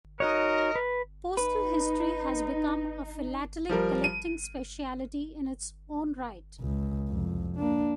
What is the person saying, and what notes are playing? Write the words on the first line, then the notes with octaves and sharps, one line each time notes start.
Postal history has become a philatelic collecting speciality in its own right.
D#4 F#4 A#4 C#5 D#5
B4
D#4 B4
F3 G3 A#4
D#7
C#2
C2 F2
A#3 D4